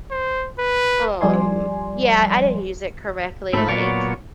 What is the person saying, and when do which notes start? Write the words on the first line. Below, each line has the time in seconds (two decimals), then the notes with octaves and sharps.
um yeah, I didn't use it correctly, like,
0.11 C5
0.59 B4
1.21 F3 G3 D5 G#5 C6
3.53 G#2 A3 C4 A4 B5
3.69 A#2 F#3 B3 C#5 D5